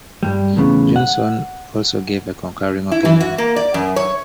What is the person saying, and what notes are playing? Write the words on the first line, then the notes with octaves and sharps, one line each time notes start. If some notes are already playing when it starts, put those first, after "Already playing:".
Johnson also gave a concurring opinion.
G2 G3
E2 A2 C#3 B3
F#5
E4
E3
F#4
A#3
D5
F#2
C#5